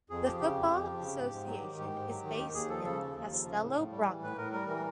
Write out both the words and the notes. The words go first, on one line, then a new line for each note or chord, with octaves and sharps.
The Football Association is based in Castelo Branco.
F2 G#4
F3 G4
C#3 G4
F2
F2
F3
C#3
G#2
G#2
F#3
D#3
G#2 G4
G#2
F#3
D#3
D#2 G4
D#2 G#4
F3 A4
C#3 A4
D#2
D#2
F3
C#3
A2
A2
G3
E3
A2 B4
A2 A#4
G3 A#4
E3 A#4